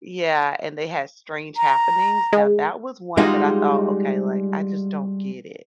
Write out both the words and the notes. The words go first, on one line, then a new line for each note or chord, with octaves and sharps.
Yeah, and they had strange happenings. Now, that was one that I thought, "Okay, like, I just don't get it."
A#5
G#3
G3 G#3 D#4 F4 F#4 G#4